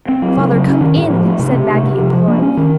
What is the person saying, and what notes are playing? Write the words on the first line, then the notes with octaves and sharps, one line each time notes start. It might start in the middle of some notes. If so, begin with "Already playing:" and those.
"Father, come in!" said Maggie, imploringly.
C4
F#3
C#3
F#3
C#4
D#3
A2
F3
A3
C3
C3
A3
C3
F3
F3
A#3
C#4
D#3